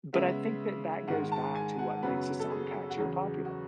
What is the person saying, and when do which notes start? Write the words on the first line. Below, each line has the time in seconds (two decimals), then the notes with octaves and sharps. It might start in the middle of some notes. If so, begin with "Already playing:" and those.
But I think that that goes back to what makes a song catchy or popular.
0.13 C#3 G#3 B3 E5
1.07 G#2 D#3 G#3 F#5
1.32 A5
1.55 G#5
1.79 F#5
2.03 F#2 C#3 F#3 B3 B4
2.40 A4
2.50 G#4
2.90 F#4
2.98 E2 C#3 F#3 G#4
3.45 F#4